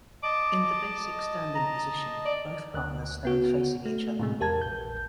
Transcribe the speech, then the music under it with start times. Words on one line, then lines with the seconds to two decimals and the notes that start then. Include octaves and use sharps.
In the basic standing position, both partners stand facing each other.
0.23 D#5 A5 D6
1.56 A#5
2.25 D5
2.74 D2 F#6
3.25 B3 F#4
3.85 A3
4.19 A2 C3 G#3
4.40 E2 G4 A#4 A5 G#6
4.61 A#1 G6